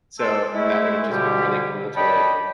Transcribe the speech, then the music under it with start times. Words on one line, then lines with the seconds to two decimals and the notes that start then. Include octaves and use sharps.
So, that would’ve just been really cool to, like,
0.19 G#3 A5 C6 E6
0.53 G#3 A3 E4
1.09 F2 B2 D3 G3 E4 G4
1.95 D4 C#5 D#5 G5 A5 B5